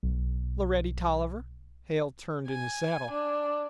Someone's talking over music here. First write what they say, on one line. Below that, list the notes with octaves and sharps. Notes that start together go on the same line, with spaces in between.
"Loretty Tolliver." Hale turned in his saddle.
B1
G#5
D4